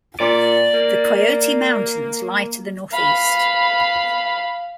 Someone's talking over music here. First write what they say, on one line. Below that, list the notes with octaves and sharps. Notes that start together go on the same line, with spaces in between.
The Coyote Mountains lie to the northeast.
A#2 D5
A#3
F5 B5